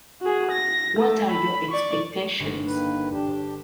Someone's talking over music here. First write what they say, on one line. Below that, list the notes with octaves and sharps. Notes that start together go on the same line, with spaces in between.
What are your expectations?
F#4 G#4
A#6
A3 A4
B5
D5 C#6
G1
D#3 A#3 B4
D4 G4